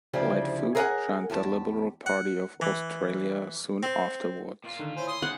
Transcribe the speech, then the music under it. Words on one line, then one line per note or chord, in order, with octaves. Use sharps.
Lightfoot joined the Liberal Party of Australia soon afterwards.
D2 C#3 F3 E4 G4 D5
G#4 A#4 B4 E5 F#5 G#5
E2 G4 A5
F#5
E3
C4
A#2 F4
D3 D#3
E4 C5 C#5 G#5
C6 D#6
G#2 C#3 F#5